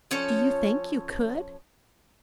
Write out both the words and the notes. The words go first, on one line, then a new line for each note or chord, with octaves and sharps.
"Do you think you could?"
F3 C#4 A4 C#5